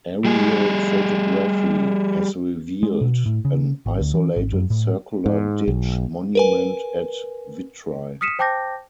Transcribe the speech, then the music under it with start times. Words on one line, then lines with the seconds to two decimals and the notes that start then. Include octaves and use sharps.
Aerial photography has revealed an isolated circular ditch monument at Vitry.
0.25 G3 G#4
2.83 G#3
3.01 B2
3.26 A2
3.45 C#3
3.86 G#1
4.00 D2
4.14 E3
4.37 G#1
4.52 F#2
4.70 A2
5.26 G#2
5.68 B1
6.35 A#4 B4 G#5
8.21 D#6 F6 B6 C#7 D#7 E7
8.39 C5 G5 A5 D6 G6 A#6